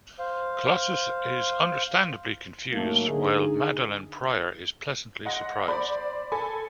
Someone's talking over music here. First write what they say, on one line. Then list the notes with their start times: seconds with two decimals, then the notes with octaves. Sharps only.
Colossus is understandably confused while Madelyne Pryor is pleasantly surprised.
0.19 C5 F5
2.71 F#2 A2 D#3 F#3 A3 A#3
3.07 D3 D#4 G#4
5.25 D#5 F#5 C6 A#6
5.68 C5 D5 B5
6.32 A4 G#5 B5